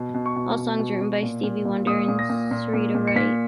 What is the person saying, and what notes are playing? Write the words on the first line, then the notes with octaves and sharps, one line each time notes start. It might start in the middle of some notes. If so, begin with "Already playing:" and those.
All songs written by Stevie Wonder and Syreeta Wright.
Already playing: B2
B2
C#6
B2
B2
B2
B2
A#2
A#2
A#2
A#2 D#6
A#2
A#6
A#2
A#2
A#2
A#2
C#7
A#2 B6